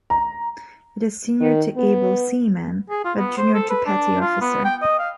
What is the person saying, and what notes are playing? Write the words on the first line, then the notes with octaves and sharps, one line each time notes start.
It is senior to able seaman but junior to petty officer.
A#5
D#3
B3
G#4
F4
B3
C5
A4
B4
D4
F4
B3
G5
D#5
F5